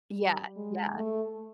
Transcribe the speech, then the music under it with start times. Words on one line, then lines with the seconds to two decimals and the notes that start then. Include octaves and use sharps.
Yeah, yeah.
0.18 G3
0.56 G#3
0.94 A3